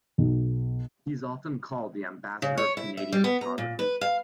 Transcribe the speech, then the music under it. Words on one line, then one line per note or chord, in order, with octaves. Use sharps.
He is often called the "Ambassador of Canadian Photography".
B1
C#3
C#5
E4
E5
G3
B3
A#5
A#2
B4
F5